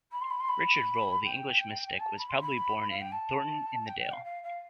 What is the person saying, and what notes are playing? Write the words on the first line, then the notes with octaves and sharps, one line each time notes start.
Richard Rolle, the English mystic, was probably born in Thornton in the Dale.
B5
C6
B5
C6
B5
G5
A5
B5
C6
B5
F5
G5
A5
G5
G5
F5
F5
F5